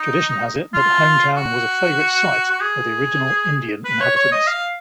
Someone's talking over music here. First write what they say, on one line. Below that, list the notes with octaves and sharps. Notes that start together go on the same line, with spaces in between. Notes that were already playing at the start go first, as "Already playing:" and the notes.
Tradition has it that Hometown was a favorite site of the original Indian inhabitants.
Already playing: D#4
F4
F#4
F#4
G#4
B4
C#5
C#5
D#5
F5